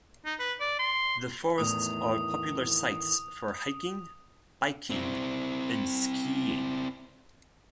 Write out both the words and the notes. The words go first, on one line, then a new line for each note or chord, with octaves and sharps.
The forests are popular sites for hiking, biking and skiing.
D#4
B4
D5
C6
E2 A2 D#3 D#6
C4 E4